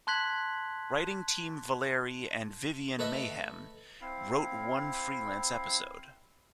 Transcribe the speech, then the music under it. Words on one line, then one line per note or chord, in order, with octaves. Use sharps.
Writing team Valerie and Vivian Mayhew wrote one freelance episode.
A5 C6 F#6 G#6 B6 F#7
A3 B4 D#5 E5
C4 E4 F5